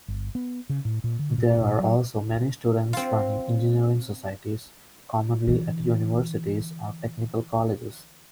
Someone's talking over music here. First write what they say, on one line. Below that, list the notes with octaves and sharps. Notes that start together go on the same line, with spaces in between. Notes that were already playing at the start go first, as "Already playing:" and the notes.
There are also many student-run engineering societies, commonly at universities or technical colleges.
G1
B3
C#3
A2
A#2
D3
A#2
A#2
F#3
C4 F4
D3 E3